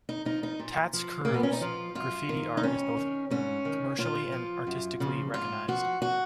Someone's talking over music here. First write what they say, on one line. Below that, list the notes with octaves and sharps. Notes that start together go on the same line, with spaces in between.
Tats Cru's graffiti art is both commercially and artistically recognized.
D#4
F3 D#4
D#4
A#2
F3
A#2 A#3
B3
C#4
D#4
F3 F4
F#2 F4
D#3
D#4
F2 C#4
D#3
G#2 C#4
D#3
A#2 F4
F3
F#2
C#3 F3
G#2 F4
F3 F#4
F#4